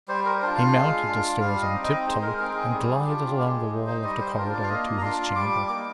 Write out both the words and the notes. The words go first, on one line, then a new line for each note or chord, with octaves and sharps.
He mounted the stairs on tip-toe and glided along the wall of the corridor to his chamber.
G3 C5
A#4
D4 F4 C5
F5
G#3
D4 F4
G3 F5
D#5
C4 D#4
D#5
G#3 C5
A#4
C4 D#4 A#4
G#4
G3 G#4
D4 F4 G4
G#3 G4
D#4
C5
G3 D#5
C5
D4 F4 A#4
D5
F5
A#3 D#5
A#5
D4 F4 C6
G3 D6
A#3 D#4 D6